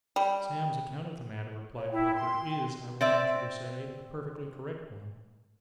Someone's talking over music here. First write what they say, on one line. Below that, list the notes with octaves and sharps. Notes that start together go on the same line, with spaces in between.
'Sam's account of the matter,' replied Perker, 'is, I will venture to say, a perfectly correct one.
G3
C#5
E4 G5
C6
C4 D5 E5